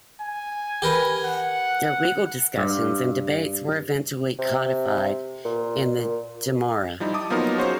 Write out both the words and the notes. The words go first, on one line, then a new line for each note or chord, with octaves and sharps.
Their legal discussions and debates were eventually codified in the Gemara.
G#5
G4 A#4 B4
F#5
G2
C3
A#2
A#2
F3 G3 D#4 E4
A5 D6 D#6
F3 F#3 A#3 B3 D#4 A#4
C#4 F4 F#4 G#4 C5 C#5